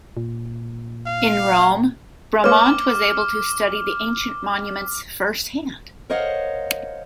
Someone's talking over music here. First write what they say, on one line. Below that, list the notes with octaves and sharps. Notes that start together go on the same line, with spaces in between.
In Rome, Bramante was able to study the ancient monuments firsthand.
A#2
F5
A#3 B4 C#5 D6 F6
A#4 C5 C#5 D#5 F5 F#5